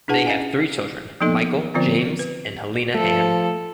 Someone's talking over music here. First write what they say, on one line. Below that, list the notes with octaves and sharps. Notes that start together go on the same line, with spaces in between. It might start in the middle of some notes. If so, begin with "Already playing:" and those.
They have three children, Michael, James and Halina Anne.
D4 E4 G#4 B4 F#5 A5
C#4 D#5 F5 G#5
F3 A#3 B3 D#4 A4 D#5
D3 F3 B3 C4 F4 C5
B4
F3 A3 A4